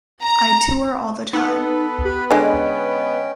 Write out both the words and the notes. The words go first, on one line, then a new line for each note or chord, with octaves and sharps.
I tour all the time.
A#5
B3 D#4 A4
G4 B4 B5
D3 G#3 C#4 D#5 G5